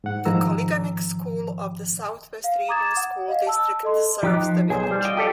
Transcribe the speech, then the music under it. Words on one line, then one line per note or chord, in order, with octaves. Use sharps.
The Koliganek School of the Southwest Region School District serves the village.
G#2 F#5
G#2 D#3 F3 A#5 E6
F5
A#5 D6 D#6 G#6 A6 E7
F#5
D#5 F5
A5 E6
A4 D#5 C6
F3 D#4 G4 F#6
F3
B1 G#4 C5 G#5
G3
F4 D#5 G5
G4 A4 D5